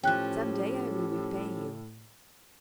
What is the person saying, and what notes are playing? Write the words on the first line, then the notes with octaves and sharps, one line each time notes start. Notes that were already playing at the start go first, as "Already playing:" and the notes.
"Some day I will repay you."
A2 F3 C#4 G4 G5 F#6